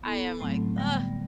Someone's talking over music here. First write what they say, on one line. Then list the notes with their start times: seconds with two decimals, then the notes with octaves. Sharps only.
I am like, "Ugh."
0.03 B3 E4 A4
0.40 A2 F#3 A3 C4
0.76 D3 G3 B3